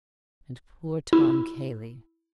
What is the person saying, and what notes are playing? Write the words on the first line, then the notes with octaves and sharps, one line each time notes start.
And poor Tom Cayley!
E4